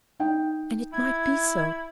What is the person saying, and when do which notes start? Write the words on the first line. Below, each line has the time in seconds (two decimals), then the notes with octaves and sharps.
And it might be so.
0.20 D#4 G5
0.93 E4 G#6